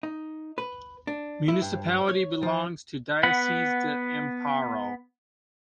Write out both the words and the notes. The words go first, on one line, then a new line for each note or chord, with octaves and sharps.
Municipality belongs to Diócesis de Amparo.
D#4
B4
D4
E4
G2
C#5
F3
B3 F#5 B5